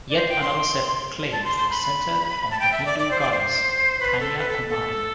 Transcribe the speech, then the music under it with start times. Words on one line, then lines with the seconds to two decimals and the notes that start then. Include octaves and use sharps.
Yet another set of claims was centered on the Hindu goddess Kanya Kumari.
0.10 D5
0.17 C5
0.29 G5
0.42 C6
1.32 A5
1.44 C6
1.57 C6
1.70 B5
2.51 A5
2.60 G5
2.72 E5
2.85 D5
2.99 D5
3.11 C5
3.21 D5
3.32 C5
4.00 B4
4.20 A4
4.38 B4
4.49 A4
4.69 A4